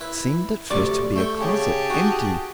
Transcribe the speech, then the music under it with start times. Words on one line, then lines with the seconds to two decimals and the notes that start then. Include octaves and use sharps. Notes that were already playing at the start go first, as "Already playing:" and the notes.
It seemed at first to be a closet, empty.
0.01 E4 B4
0.71 D2 C3 D5 C#6
1.16 A3 G5 C#6
1.40 C#3 G4 G#4 A5
1.90 D#4 F#4